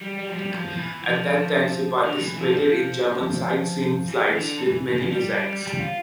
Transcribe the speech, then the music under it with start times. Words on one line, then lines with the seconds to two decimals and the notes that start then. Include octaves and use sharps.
At that time, she participated in German sightseeing flights with many designs.
0.01 G3
0.18 G3
0.29 F3
0.34 G3
0.52 F3
0.77 E3
1.03 F3
2.04 D3
2.21 E3
2.38 F3
2.51 G3
2.56 F3
4.08 E3
4.34 D3
4.60 E3
4.88 F3
4.94 E3
5.03 F3
5.11 G3
5.62 G3
5.79 F4